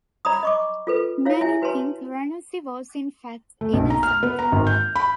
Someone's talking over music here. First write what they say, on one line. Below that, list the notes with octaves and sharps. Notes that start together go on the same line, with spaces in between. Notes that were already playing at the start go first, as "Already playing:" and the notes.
Many think Ranucci was in fact innocent.
D5 A#5 B5 D#6
D#5 C#6 D6
F4 A4 B4
E4 F4 C#5 F5
E4 E5 G#5
F#4 B4 C#5 G#5 A5 C6
A3
B1
A#5
F6
B3
A#5
G#1
G6
B5